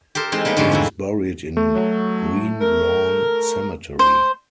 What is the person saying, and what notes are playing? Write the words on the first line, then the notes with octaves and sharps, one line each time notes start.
He is buried in Green Lawn Cemetery.
G4 A4 A#4 C5
E3 G#3 C4 D#4
G3 A#3 B3 D#4
G#2 D3 F3 G3 A#3 C#4
E3 C4 E4
A3
F#3
A#4
C5